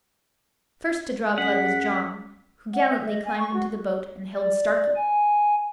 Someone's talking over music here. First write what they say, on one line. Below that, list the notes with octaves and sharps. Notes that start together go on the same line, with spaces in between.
First to draw blood was John, who gallantly climbed into the boat and held Starkey.
F#2 G#4 F#5 B6
F#5
E5
D#5
G#5
C#6
F#4
D5
G#5